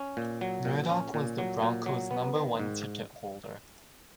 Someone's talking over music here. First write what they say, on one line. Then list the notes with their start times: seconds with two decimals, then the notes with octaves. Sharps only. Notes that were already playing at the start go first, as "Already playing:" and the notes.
Murdoch was the Broncos' number one ticket holder.
Already playing: C#4
0.17 A#2
0.41 F#3
0.65 A#2
0.90 C#4
1.14 A#2
1.38 F#3
1.63 A#2
1.86 F#3
2.11 B3
2.36 D#3
2.60 G#2